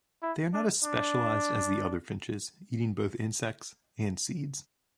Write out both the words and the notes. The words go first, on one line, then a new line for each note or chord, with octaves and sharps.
They are not as specialised as the other finches, eating both insects and seeds.
E4
D4
D4